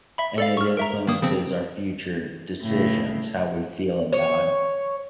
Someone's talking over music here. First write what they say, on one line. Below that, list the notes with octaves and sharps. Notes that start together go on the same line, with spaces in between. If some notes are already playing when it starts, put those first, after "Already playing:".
and it influences our future decisions, how we feel about it.
E5 B5
A4 D5 F5
C#6 F6
A#4 E5 A#5
D#3 A#3 D#6
C#3 F3 C4
A2 C#3
C#5